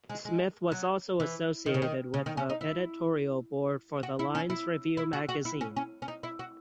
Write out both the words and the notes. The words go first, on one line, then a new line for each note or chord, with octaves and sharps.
Smith was also associated with the editorial board for the Lines Review magazine.
G#3
G#3
F#3
E3
D#3
C#3
D#3
C#3
D#3
C#4
D#4
E4
F#4
E4
C#4
E4
E4
F#4
F#4
E4
C#4
C#4
C#4
D#4
E4
F#4